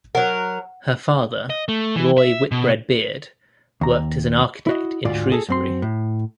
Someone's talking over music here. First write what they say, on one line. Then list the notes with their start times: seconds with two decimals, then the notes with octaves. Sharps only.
Her father, Roy Whitbread Beard, worked as an architect in Shrewsbury.
0.15 F#3 A#4 F#5
1.50 D#5
1.68 A3
1.96 E3
2.18 E5
2.52 B2
3.81 D#2 A#5
4.67 E4 F#4 D#5
5.05 D2 G#2 F4 D5
5.32 G#4 A4
5.49 F#2 C4 C6
5.82 A2